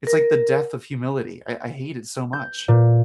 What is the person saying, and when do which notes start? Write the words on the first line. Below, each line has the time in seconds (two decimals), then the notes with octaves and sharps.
it's like the death of humility, I I hate it so much.
0.07 A#4
2.33 G6
2.68 A#2